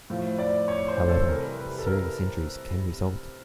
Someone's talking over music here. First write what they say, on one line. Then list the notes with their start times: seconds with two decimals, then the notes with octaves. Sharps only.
However, serious injuries can result.
0.10 A2 F3
0.38 D5
0.68 C#5
0.88 C5
1.08 A4
1.28 C3 E3 G3 A#4
1.58 B4
1.78 A4
1.87 A#4